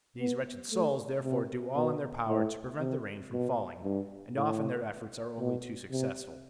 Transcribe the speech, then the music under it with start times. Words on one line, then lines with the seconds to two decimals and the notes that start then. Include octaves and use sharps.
These wretched souls, therefore, do all in their power to prevent the rain from falling, and often their efforts are only too successful.
0.19 B3
0.71 A3
1.23 C3
1.75 B2
2.28 A2
2.79 C3
3.32 B2
3.84 G2
4.36 A2
5.40 B2
5.91 C3